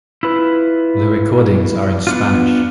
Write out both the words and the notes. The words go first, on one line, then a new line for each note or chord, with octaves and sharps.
The recordings are in Spanish.
E4 F4 B4
B3 D4 F4